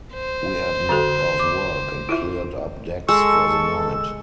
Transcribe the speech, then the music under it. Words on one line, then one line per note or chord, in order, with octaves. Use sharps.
We had knocked off work and cleared up decks for the night.
C5
D3 F#4 A4
D6
E4 F4 E5
G#3 A4 C#6 E6